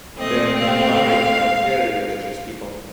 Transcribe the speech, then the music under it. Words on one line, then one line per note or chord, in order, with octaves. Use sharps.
The Minbari are a very religious people.
A#2 A3 C4 D#5
F5